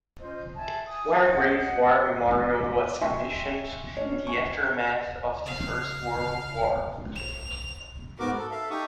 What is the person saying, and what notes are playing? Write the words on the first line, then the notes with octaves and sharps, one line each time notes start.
Wargrave War Memorial was commissioned in the aftermath of the First World War.
C#4 F4 C5 D#5
E5 G#5 A5
G#5 D#6
D#5 F5 F#5
F4 G4 C#5 E5 D6
D#5 E5 G5 G#5 C6 C#6
C#4 D4 C#5
G#5 C#6
C#3 F5
B1 F7
G#2 B3 F#4 A#4 D6
A4
A4 E5 F5
D#4 G4 A4 C#6 D#6